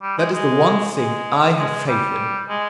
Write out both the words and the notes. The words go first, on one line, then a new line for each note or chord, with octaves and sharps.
That is the one thing I have faith in!
G3
G#3
G#3
G#3
G#3
G3
G#3